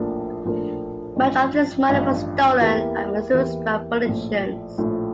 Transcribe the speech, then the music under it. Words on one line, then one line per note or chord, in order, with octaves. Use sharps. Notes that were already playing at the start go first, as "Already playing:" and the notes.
Much of this money was stolen and misused by politicians.
Already playing: A#1 A2 F3 A#3 D4
A#1 A2 F3 A#3 D4
A1 G2 F3
A1 G2 F3
E2 E3 A#3 E4 G4
E2 E3 A#3 E4 G4
A#1 A2 F3
A#1 A2 F3